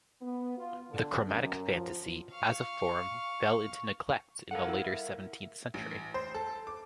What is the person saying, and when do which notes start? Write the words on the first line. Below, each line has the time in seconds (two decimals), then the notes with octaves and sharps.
The chromatic fantasy, as a form, fell into neglect in the later seventeenth century.
0.22 B3
0.58 F4
0.90 D3
1.26 F#2
1.73 F3
2.31 F5 C#6
4.51 A4 A#4 F5 F#5
4.67 E4
4.83 E5
5.74 A1
6.14 C5
6.34 A4
6.67 D6